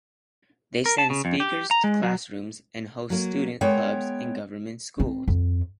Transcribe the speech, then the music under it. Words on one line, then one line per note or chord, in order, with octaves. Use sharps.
They send speakers to classrooms and host student clubs in government schools.
A#4
A5
C#3
F2
G4
A#5
G#3
F#3
F#3 A#3
G#3 B3 A#4 C#5 G5
C4
F2